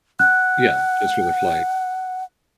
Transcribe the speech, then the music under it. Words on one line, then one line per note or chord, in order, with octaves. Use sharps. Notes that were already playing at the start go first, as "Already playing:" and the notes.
Yeah, just for the flight.
F#5 F#6